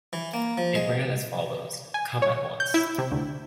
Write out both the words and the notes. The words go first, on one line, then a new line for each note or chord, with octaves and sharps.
It ran as follows: Come at once.
E3
A#3
F3
G#3
G#5
C#5
G6
E4
C3
D2